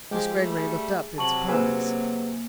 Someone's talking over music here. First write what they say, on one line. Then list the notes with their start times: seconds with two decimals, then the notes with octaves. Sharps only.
Miss Greggory looked up in surprise.
0.11 F3 G#3 G4 G#4
0.39 G3 A3
0.58 G#4
1.18 C3 F#3 A5 C#6 F#7
1.48 A#3 C4 C#4 G#4 B4 C5 G#5 E6